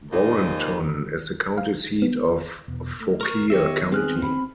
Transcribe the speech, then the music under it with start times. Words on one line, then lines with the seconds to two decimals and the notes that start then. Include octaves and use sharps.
Warrenton is the county seat of Fauquier County.
0.12 D#2 A#2 F3 D#4
1.58 F5
2.02 B3
2.68 E2 B2
3.00 A3
3.21 A#4 C#6
3.50 D#3 B3 G4 C#5 D#5 E5
3.92 C4 G#4 F6 F#6
4.22 B5